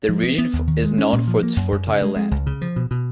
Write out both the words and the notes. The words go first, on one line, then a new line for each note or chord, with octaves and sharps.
The region is known for its fertile land.
F3
B3
B3
D#2
D#3
G#3
C#4
A#2
F3
A#3
F#2
F#2
C#3
G#3
G#3
C#2
C#3
F3
B2
B2